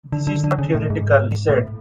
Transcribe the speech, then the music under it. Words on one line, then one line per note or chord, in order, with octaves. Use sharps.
"This is not theoretical", he said.
D3
D3
D3
C#3
A2
G#2
A2